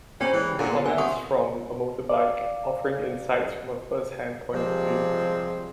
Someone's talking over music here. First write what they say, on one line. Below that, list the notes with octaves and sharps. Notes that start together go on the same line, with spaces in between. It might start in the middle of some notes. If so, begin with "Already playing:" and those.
He comments from a motorbike, offering insights from a first-hand point of view.
G3 C4 C#4 G4 C#5 G5 A#5
E3 G#3
A#2 D3 G#4 A#4 G#5
B3
G2 E5 F#5 G#5
C3 F4 F#5 C#6 D#6
D5 F5
C3 F3 G3 G#3 C4